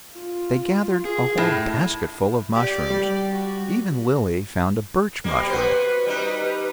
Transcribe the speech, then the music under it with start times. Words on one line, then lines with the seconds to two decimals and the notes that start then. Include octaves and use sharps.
They gathered a whole basketful of mushrooms; even Lily found a birch mushroom.
0.13 F4
1.05 G#4
1.38 A2
2.53 G4 D5
2.90 G3
3.31 F#4
5.24 B2 G3 A#3
5.50 F#4 B4 C5
6.06 G3 D#4